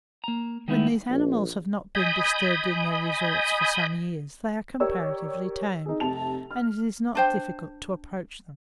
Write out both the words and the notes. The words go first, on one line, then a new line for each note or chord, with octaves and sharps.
When these animals have not been disturbed in their resorts for some years they are comparatively tame, and it is not difficult to approach them.
A#3 A#5
D#3 G#3 B3 D#4 E4
A#1
D#5 G#5 B5 D#6 G6
G4 A#4 C#5 D5 E6
D#4 G#4
F1 C3 A5 F7
F6
D4 C5 G5